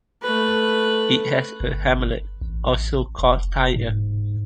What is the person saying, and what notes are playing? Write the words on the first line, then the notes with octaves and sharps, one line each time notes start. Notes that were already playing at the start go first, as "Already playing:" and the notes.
It has a hamlet, also called Tyre.
A3 B4
G1
A1
F1
G#2